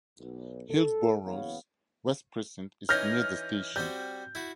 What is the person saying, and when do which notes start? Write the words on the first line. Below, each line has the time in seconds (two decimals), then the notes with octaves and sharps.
Hillsboro's West Precinct is near the station.
0.19 B1
0.70 A4
1.26 F#1 E2 B3 C#5 F5
2.89 E3 C#4 D#4 F6 G6 A#6
3.76 G3 C4 F#4 G6
4.35 E4 F#4